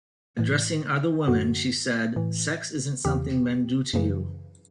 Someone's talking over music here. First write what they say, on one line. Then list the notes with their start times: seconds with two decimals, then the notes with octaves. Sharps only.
Addressing other women, she said, Sex isn't something men do to you.
0.39 A2 E3
1.28 F#2 D3 F#4
2.16 A2 E3
3.05 E2 C#3 E3 G4
3.93 F#2 C#3 E3